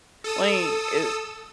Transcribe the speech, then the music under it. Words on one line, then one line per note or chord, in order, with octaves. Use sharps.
Wait, is
A4 D#6 E6